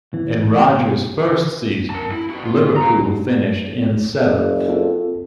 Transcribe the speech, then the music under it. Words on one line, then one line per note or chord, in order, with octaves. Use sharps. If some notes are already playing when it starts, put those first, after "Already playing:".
In Rodgers' first season, Liverpool finished in seventh.
E3
B2
A#4 A5
E4
A#3 F#4
F4
F4 A#5
F#1
C4 F4 A4